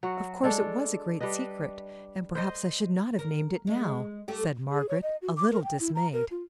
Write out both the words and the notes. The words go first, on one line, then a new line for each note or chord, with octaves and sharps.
Of course, it was a great secret, and perhaps I should not have named it now,' said Margaret, a little dismayed.
F#3 F#4
G#3 D4 A4
G3 D4 B4 D#5
C5 D#5
A#4
G#3
A3 G4
G#4
C#5
D#5
F#4
D6
A#4
G5
E4
A#5
A#4
F4